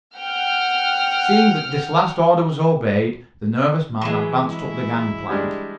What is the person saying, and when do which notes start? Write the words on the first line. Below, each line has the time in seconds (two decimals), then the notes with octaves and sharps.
Seeing that this last order was obeyed, the nervous man advanced up the gangplank.
0.16 F#5 G5 F6
4.01 E3 F#3 G#3
4.47 E4
5.29 G3 G#3 D4